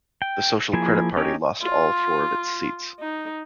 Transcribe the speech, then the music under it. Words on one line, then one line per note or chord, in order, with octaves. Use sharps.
The Social Credit Party lost all four of its seats.
G5
F3 A#3 E4 G#4 G#5
C#4 D#4 G4 C#5
F4
D#4